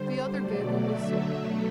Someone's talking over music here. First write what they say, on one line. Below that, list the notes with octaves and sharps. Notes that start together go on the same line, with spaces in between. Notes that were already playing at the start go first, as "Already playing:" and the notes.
The other gave a whistle.
Already playing: D3 G3 C5
B2 F#3 A3 D5
D3 F#3 A3 E5
B2 F#3 A3